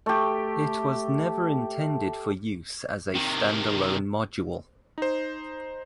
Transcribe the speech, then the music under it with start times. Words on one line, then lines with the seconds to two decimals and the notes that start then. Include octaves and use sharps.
It was never intended for use as a stand alone module.
0.06 A3 G4
3.15 C3 D#3
4.98 D#4 C5